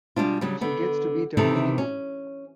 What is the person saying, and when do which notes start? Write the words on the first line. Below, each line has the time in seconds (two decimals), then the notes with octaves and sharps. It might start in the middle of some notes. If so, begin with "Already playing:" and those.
She gets to beat up many men.
0.16 B2 G3 G#3 D4 F4
0.41 C#3 F#3 G3
0.61 D3 B3
1.37 C3 D#3 E3 D#4 A4
1.78 C#4